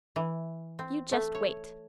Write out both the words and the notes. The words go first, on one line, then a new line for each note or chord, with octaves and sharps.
"You just wait!"
E3
C4
A3
C#5